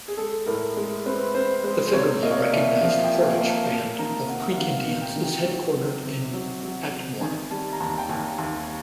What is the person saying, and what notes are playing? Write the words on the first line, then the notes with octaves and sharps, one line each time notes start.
The federally recognized Poarch Band of Creek Indians is headquartered in Atmore.
G#4
G#3 A4
A2 A#4
G#3
C4 B4
C4 C5
G#3 C5
C5
C3 C#5
A#3 D#5
C#5
D5
D#5
C2 E5
F3 F5
G5
A#3
G#5
A#3
A5
C3 A5
D#3 A#5
C3 F#5
F#5
D#3 F5
F5
D#3
G5
D#3
G5
F#3
C3
C3
F#3
F#3
C3
D#3 G#5
G3 A5
A#5
D#2 A5
G5
D#2 G#5
D#2